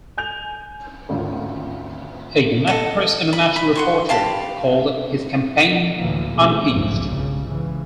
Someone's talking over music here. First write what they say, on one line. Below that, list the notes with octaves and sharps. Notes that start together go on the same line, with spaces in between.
A United Press International reporter called his campaign unhinged.
G#5 G6 F7
G#1 D2 C#4 F4
A4 D#5
B5
B5
F#5 C6 C#6
G4 F5 A5 B5
D2 A2 E3 A#3
B2 D3 G#3 A3 C4
F#1 B1 F2 G#2
C#2 G2 C#3
G#2 C#3 E3